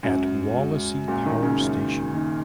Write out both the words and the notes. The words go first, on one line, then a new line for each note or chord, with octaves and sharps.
At Wallasey power station.
F#2 G#3 C#4 F#4
G#3 C#4 F#4
A#2 G#3 C#4 F#4
D#3
C#3
F#2 G#3 C#4 F#4
D#3 A#3 D#4